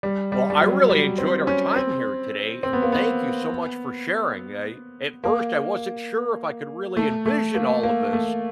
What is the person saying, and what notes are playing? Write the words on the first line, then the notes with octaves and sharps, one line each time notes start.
Well, I really enjoyed our time here today and thank you so much for sharing. I at first, I wasn't sure if I could really envision all of this,
G3
G3
G3
F#3
G3
C4
C#4
C4
C4
B3
A#3
B3
A#3
A3
A3
A#3
A#3
A3